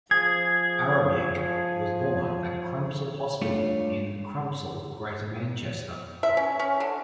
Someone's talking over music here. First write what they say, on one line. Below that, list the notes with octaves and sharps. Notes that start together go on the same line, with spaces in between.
Arobieke was born at Crumpsall Hospital in Crumpsall, Greater Manchester.
F3 G#4 G#6
G3 A3 D4 F4 C#5
E5
C#4
C#4
D3